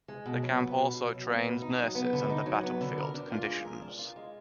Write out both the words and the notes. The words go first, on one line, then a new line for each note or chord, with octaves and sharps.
The camp also trained nurses under battlefield conditions.
G#3
B2
F#3
B3
B2
B2
F#3
B3
B2
D#4
F#3
B3
D3
D#4
F#3
B3
D3
A#4
D4
F4
G#3
A#4
D4
F4
G#3